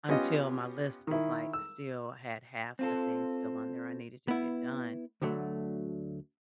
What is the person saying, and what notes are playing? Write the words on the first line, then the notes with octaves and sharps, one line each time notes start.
until my list was, like still had half of the things still on there I needed to get done.
B3 C#4 F4 G4 D#5
D#3 E4
E6
C4 F4 A4
B3 E4
D2 D3 F#3 A3